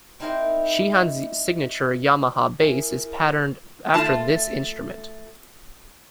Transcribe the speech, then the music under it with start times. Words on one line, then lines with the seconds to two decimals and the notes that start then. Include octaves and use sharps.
Sheehan's signature Yamaha bass is patterned after this instrument.
0.20 C4 D#4 E4 A#4 C5 G5
2.61 E4 G#4 A#4
3.94 A3 F4 A5